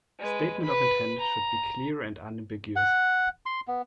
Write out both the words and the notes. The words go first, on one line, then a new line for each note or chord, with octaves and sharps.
A statement of intent should be clear and unambiguous.
G#3 B4
B4 B5
A#5
F#5
C6
B3